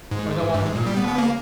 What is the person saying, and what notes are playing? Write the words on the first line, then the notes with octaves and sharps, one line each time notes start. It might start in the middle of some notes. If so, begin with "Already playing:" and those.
or they'll wanna talk about
G#2
G2
G#2
A#2
G3
B3
B3
A#3